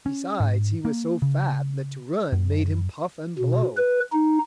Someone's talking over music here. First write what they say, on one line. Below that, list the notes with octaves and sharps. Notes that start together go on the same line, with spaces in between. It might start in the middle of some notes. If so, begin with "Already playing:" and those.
Besides he was so fat that to run made him puff and blow.
C#4
G#2
A#3
C#3
F#2
B2
B4
D#4